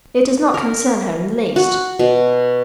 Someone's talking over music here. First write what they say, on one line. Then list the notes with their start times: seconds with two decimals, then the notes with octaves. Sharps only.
It does not concern her in the least.
0.54 A#4
1.56 F#4
1.99 B2